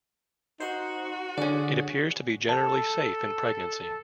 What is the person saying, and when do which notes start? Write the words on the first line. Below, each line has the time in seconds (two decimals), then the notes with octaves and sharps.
It appears to be generally safe in pregnancy.
0.60 D#4 F#4 C5 C6
1.38 D3 C#4 G#4 D5
2.49 A4 A5